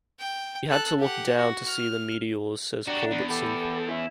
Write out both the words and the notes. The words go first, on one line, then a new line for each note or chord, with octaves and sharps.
"We had to look down to see the meteors," says Culbertson.
G5
A4 F#6
G4 F#5
F#4
F6
D4 F#4 G4 F#5 A#5
E2
B3 E4 G4 A4
C#4 E4